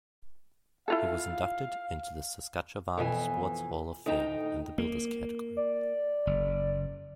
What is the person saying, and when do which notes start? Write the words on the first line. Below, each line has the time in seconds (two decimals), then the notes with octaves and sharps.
He was inducted into the Saskatchewan Sports Hall of Fame in the builders category.
0.88 E4 F4 A4 F5
2.97 F2 B2 E3 G#5
4.06 D2 A2 D#4 G5 A5 A#5
4.78 A#3
5.57 D5
6.27 F#1